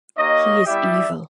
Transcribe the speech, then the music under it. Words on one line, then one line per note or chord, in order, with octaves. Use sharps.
He is evil.
A#3 D#4 G4 C#5 D#5
G3 B3 E4 G4 D5 E5